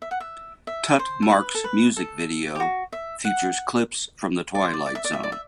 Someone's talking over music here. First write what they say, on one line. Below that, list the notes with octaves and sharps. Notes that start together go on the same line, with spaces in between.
Tutmarc's music video features clips from the Twilight Zone.
E5
F#5
E5
E5
C5
A4
B4
A4
B4
A4
G4
F#4
E5
F#5
D5
C5
D5
D5
E5
D5
E5
D5
E5